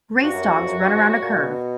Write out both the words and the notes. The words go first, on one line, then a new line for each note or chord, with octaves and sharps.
Race dogs run around a curve.
G2 F#4
F#2
E2
F2
F#2
G2
G#2
A2
A#2
B2